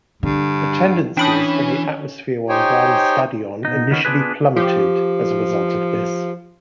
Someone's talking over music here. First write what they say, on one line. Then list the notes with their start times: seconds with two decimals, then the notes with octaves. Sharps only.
Attendances and the atmosphere on Brann Stadion initially plummeted as a result of this.
0.23 G2 D3
1.17 E3 C#4 D4 G5 B5 D#6
2.49 D#4 G4 C5 C#5 G5 G#5
3.65 B2 D#4
3.91 D#3 B3 C#4
4.05 B3 D4 F4 G#4 B4
4.56 F3 G4